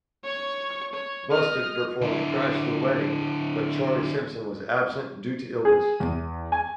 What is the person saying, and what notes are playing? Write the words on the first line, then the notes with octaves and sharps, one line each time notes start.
Busted performed "Crashed the Wedding" but Charlie Simpson was absent due to illness.
C#5 C#6
C#5
D#5 F6
D3 E4
G#4
E2
G#5